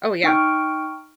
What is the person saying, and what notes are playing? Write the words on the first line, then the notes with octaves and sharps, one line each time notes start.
Oh yeah.
D#4 G5 C#6 F6 D7